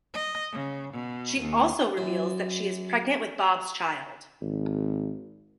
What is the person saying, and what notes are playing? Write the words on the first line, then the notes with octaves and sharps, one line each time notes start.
She also reveals that she is pregnant with Bob's child.
D#5
C#3
B2
D#2
F#2
G#1